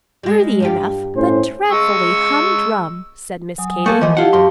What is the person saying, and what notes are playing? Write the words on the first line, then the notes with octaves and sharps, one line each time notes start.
"Worthy enough, but dreadfully humdrum," said Miss Katy.
G3 G#3
G2 F4 G4
A2 C#4 C5
G#3 C#6 E6
F#3 G#5 D#6
A3 A#3 A4
E3 F3 D#5
E4 F4 G4 F5 F#5 A5
F#2 C6